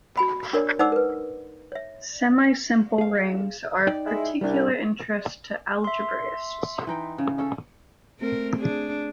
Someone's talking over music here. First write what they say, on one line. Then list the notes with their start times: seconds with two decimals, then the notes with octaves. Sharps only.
Semisimple rings are of particular interest to algebraists.
0.17 F#4 G#5 B5
0.53 D4 A#4 C#5 D5
0.79 D#4 C5 D5 F#5 D6 E6
0.92 A#4 B4
1.72 C#5 E5
2.98 G#4 F5
3.87 D#4 D5 G5
4.06 G#3 E4
4.41 C2 G3 D4
5.84 E5 C6
6.87 E3 D#4 G5
7.18 C#3
7.38 C#4 A4
8.19 A3 C4 A#4
8.59 D4 G#4